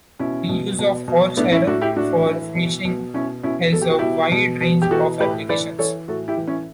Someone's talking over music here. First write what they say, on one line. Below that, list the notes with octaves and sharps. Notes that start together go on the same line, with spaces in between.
The use of horsehair for fishing has a wide range of applications.
B2 C#4 E4
B2
B2
B2
A2 B3 D4
C#4 E4
A2 D4 F#4
E4 G4
A2 D4 F#4
E3
B2
B2
B2 C#4 E4
B2 C#4 E4
B2 A4
G4
F#4
B2 E4 G4
B2
B2
G4
E3 F#4 A4
A2 G4 B4
E3 B4 D5
E3 A4 C#5
A2 F#4 A4
E4 G4
E3
C#4 E4